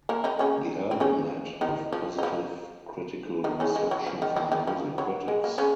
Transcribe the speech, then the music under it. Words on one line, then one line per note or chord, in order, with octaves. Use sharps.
The album met with positive critical reception from music critics.
A#3 A#4
D#3 D#4
C#3 C#4
C4
C#3 C#4
D#3 D#4
F3 F4
D#4
F3 F4
D#3 D#4
C#3 C#4
G#3
F#3
F3
D#3
D#3
D#3
F3
F#3
G#3
A#3
C#3 C#4